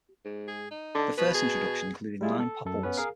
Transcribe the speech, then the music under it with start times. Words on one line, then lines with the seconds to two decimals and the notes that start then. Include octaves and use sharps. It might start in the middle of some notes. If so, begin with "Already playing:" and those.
The first introduction included nine Popples.
0.25 G#2
0.48 G#4
0.71 D#4
0.95 D3
1.18 B2 B4
1.34 G#4
2.21 G3 G#3 E4 F4 G#4
2.40 A4
2.65 F#2 A4
2.83 B3 C#4 B4
2.97 G#4 A#4 F5